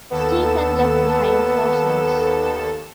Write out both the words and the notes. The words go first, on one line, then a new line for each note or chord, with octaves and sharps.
Stephen left behind four sons.
D#2 B3 A4 E7